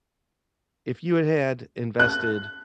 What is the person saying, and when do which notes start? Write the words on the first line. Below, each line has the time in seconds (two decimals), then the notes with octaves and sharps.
if you had had invested
2.00 F#6